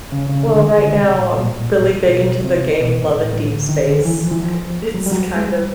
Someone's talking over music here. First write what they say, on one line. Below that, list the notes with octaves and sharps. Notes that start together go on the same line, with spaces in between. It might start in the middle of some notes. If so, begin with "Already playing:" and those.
Well, right now I'm really big into the game Love and Deepspace. I It's kind of
C#3
C#3
D3
D#3
D3
C3
A2
A#2
B2
C3
B2
G#2
A2
A2
D3
D#3
D3
D#3
E3
F3
E3
F3
F#3
G3
F#3
G#3
G3